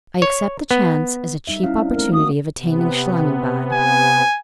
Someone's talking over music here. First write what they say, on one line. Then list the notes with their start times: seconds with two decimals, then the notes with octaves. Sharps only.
I accept the chance as a cheap opportunity of attaining Schlangenbad.'
0.22 C#5
0.71 B3
1.47 G3 D#4 E5
1.63 C#4 E4 F5
1.76 C4 D4
1.94 A3 C4 A#4
2.13 A#3 F#4 D#6
2.59 C3 B3
3.73 G#5